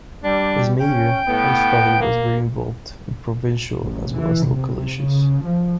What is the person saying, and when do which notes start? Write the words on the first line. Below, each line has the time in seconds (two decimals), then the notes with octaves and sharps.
As Mayor, Housefather was very involved in provincial as well as local issues.
0.24 G3 D4
0.80 C#4 G5
1.27 A2 B3
2.01 A#3
3.80 A1
4.16 E3
4.46 C3
5.01 C#3
5.44 F3